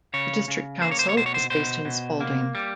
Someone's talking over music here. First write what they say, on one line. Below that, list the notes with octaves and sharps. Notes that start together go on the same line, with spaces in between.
The district council is based in Spalding.
C#3 C#5
C#3
A#3 C5
C#5
C5
C#5
B2 C5
C#5
C5
B2 C5
B2
A#3
G3